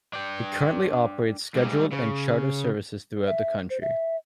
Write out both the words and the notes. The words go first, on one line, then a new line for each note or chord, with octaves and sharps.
It currently operates scheduled and charter services throughout the country.
D4 G5
G#2 G3
C#3
E5
C5
E5